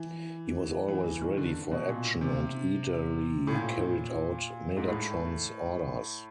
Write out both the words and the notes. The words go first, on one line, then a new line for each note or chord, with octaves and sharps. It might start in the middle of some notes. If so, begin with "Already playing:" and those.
He was always ready for action and eagerly carried out Megatron's orders.
Already playing: E3
E3
E3
D#3
D3
B2
A#2
C3
A2
A#2
G#2
A2